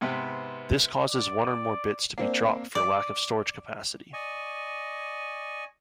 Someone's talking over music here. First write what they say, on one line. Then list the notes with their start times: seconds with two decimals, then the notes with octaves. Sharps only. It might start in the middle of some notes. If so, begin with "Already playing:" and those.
This causes one or more bits to be dropped for lack of storage capacity.
0.01 G#2 C3 B3 B4 G5
1.08 D5
2.18 A#3 C4 D4
2.75 D5
4.13 D5 D#5 G#5 C#6